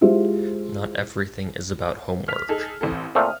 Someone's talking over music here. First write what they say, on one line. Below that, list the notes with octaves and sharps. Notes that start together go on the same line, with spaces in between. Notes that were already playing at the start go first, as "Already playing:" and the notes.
Not everything is about homework.
G#3 E4 F4 G4 C5 E5
F6 B6 F7
D#4 G#4 A4
A1 C4 A4
A#2 A3 C4 D#6 F6